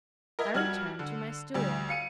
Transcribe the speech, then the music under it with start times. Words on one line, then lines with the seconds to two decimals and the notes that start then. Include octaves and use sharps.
I returned to my stool.
0.39 A#4 D#5 E5 G#6
0.54 F2 G3 F#4 F6 G#6 F#7
0.99 D3
1.54 D2 G3
1.89 F5 C#7 D#7